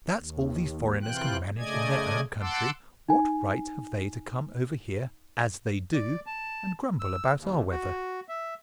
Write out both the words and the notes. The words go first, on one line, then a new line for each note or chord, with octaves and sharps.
"If that's all these foreigners can manage in their own country, what right have they to come over here, as they do, and grumble about our weather?"
D#2
C3 E3 F4 G5 F#6
C#3 A3 D5 D#5 G#5 G#6
F#5 A5 C6 D6 E6
D#4 G#5
D5
A5
E6
D#2
F#4
E5